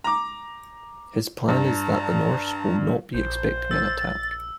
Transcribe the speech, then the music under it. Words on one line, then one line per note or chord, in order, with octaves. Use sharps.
His plan is that the Norse will not be expecting an attack.
A#5 D6
G2 A5 A#5
A#1 C5
E6 A6